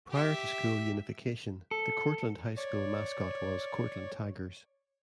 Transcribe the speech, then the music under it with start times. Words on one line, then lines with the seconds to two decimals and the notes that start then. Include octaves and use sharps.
Prior to school unification, the Courtland High School mascot was Courtland Tigers.
0.10 G4 E5
1.71 A4
2.57 C#5 D5